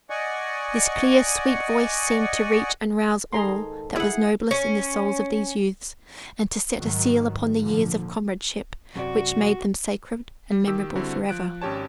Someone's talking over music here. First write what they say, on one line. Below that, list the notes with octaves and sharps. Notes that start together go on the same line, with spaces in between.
This clear, sweet voice seemed to reach and rouse all that was noblest in the souls of these youths, and to set a seal upon the years of comradeship which made them sacred and memorable for ever.
D5 D#5 F#5 G#5 C#6
G#2 D#3 G#4 A4 A#5 C6
E4 G#4 E5 F#5
C#4
G#2 D#3 F#3
A#2 D3 F3
F#2 C3 F#4 D5
G3
D#3 G4 E6
D3 G3 C4 E4 F#4
F3 F#6 D7
G#1 C#4 G4 C#5 A5